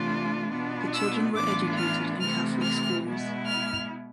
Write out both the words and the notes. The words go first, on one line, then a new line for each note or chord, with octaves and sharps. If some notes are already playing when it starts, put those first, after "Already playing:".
The children were educated in Catholic schools.
Already playing: C3 E3 A3 D4 F4
B2 B3 D4 F4
E6
A2 E3 B3 D4 F4 D6
F6
C3 E3 A3 C4 F6
F6
B2 G#3 B3 E4
F6